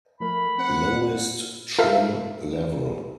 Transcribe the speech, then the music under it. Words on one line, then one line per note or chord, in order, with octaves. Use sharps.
Lowest trim level.
F3 A3 A#4 B5
C4 C5 F#5
F4 A4 A#4 C5 E5 F5